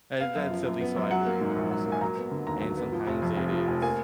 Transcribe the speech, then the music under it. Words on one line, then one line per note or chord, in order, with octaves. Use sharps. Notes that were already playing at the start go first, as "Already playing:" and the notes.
Uh, that's at least what I believe in the most cards. And sometimes it is
B3 F5
F#2
F3
F#2
B3
F#2
F#3 F#5
A#3
G#2
A#1
F#3
A#3
G#5
F#3 A#5
B3
D3
D#2 A#5
F#3
B3
F3
F1
F2
F1
F3
F1
A#3 G#5